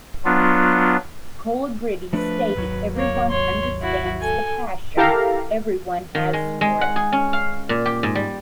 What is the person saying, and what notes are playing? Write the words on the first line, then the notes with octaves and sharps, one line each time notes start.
Kalogridis stated Everyone understands the passion everyone has for it.
F#3 B3 D4 F4
F3 A3 D4 B4
G#1 D#2 F#3
A#3 C#5
C#5 C6
E4 F#4
A4 G#5
E4 G4 A4 A#4 F5 A#5
D#3
G#3
G#3
F#5
G#4
C#4
F5
A#2
G4
G#2
G3